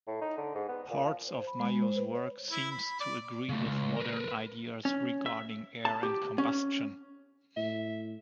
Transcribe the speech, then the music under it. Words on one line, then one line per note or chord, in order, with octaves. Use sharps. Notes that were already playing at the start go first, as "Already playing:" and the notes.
Parts of Mayow's work seems to agree with modern ideas regarding air and combustion.
A2
D#4
D3
G#2
B3
A#2
F3
C5
B5
G#3
C5
B4
C#5
E4
B5
D5
C#3 A3
C#2
A#4 B4
C#4
E5
A5
G4
C#4
A2 E5